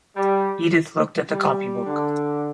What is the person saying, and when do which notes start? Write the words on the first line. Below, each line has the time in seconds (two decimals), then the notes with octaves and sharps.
Edith looked at the copybook.
0.16 G3
1.30 G3
1.86 D3